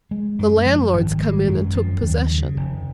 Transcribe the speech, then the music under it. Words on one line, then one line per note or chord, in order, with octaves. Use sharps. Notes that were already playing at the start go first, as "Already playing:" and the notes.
The landlord's come in and took possession.
G#3
F#2
F3
G#1
G#3
F#2
F3
D#2
C#3
F1